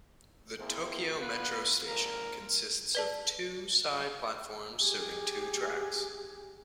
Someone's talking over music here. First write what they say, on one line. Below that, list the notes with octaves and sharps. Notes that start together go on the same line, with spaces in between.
The Tokyo Metro station consists of two side platforms serving two tracks.
E2 A#3 C4 E4 G#4 C5
D3 B3 F4 B4
G#1 A#2 F3 A#4
B4 D5 A5
G4 G#4